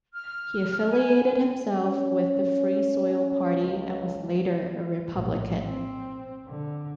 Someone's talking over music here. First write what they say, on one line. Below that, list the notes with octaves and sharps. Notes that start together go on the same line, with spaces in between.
He affiliated himself with the Free Soil Party and was later a Republican.
F6
G#5
C#4
C#2
A#1 A2
C4
D3